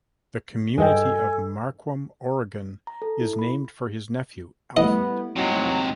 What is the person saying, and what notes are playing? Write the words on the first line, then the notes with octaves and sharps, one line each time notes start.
The community of Marquam, Oregon, is named for his nephew, Alfred.
G2 G#4 A4 D#5 G5 G#5
A#5
A4
E4
B5
G3 A3 B3 E4 D#5
G#2 C3 F#3